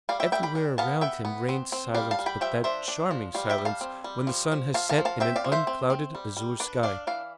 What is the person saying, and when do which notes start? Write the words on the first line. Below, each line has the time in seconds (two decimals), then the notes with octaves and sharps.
Everywhere around him reigned silence, but that charming silence when the sun has set in an unclouded azure sky.
0.09 G3 D5 F5
0.20 E5 G5
0.32 G3 E5 G5
0.43 G5 B5
0.55 D4
0.78 B3 F5 A5
1.01 B3 E5 G5
1.25 B3
1.49 C4
1.72 C4
1.94 G3 D5 F5
2.11 F5 A5
2.19 G3
2.26 G5 B5
2.41 F3 E5 G5
2.64 D4 C5 E5
2.88 D4
3.11 F3
3.34 G3 D5 F5
3.50 E5 G5
3.58 G3
3.65 F5 A5
3.81 C4
4.04 G3
4.27 F3
4.52 F3
4.74 F3 F5 A5
4.89 F5 A5
4.98 F3
5.05 F5 A5
5.20 C4 E5 G5
5.36 D5 F5
5.44 F3
5.52 C5 E5
5.67 C4
5.90 C4
6.15 G3
6.37 G3
6.60 D4 B4 D5
6.83 D4 D5 F5
7.07 E3 D5 F5